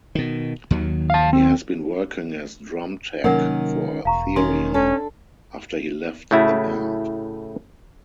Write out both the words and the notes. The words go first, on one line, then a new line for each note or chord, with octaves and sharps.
He has been working as drum tech for Therion, after he left the band.
B2 D#3
D#2 D#3 F#3
F5 A5
C4
C3 D#3 F#3 A#3 C#4 A#4 F#5
E1 F5 A#5 C#6
D#3 C#4 C6
C#4 D4 A4
A2 C#3 A3 E4 F#4